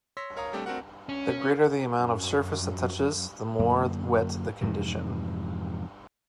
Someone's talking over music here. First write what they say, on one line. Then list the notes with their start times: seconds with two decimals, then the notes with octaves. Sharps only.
The greater the amount of surface that touches the more wet the condition.
0.17 C#5 C6 E6 A#6 B6
0.37 A#4 C#5 F5 A#5 D#6
0.53 G3 A3 C4 D4 G4 A4
0.66 A3 C4 D4 F#4 A#4 F#5
1.09 C#4
1.96 F#2
3.59 F#2 D3 A#3
4.61 F2 G#2 C3 E3